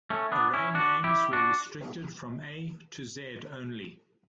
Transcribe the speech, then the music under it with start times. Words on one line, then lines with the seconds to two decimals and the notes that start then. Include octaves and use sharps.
Array names were restricted to A to Z only.
0.10 A3 C#4
0.32 B3 D4
0.53 C#4 E4
0.75 D4 F#4
1.04 E4 G4
1.33 D4 F#4